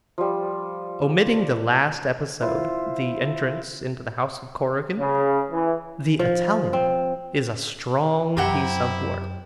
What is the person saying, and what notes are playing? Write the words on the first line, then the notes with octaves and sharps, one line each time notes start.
Omitting the last episode, the entrance into the house of Corrigan, The Italian is a strong piece of work.
F3 G3
E4 F4 C5
C#3
E3
F3
C4
F#2 C3 E4 F#5 G5 A#5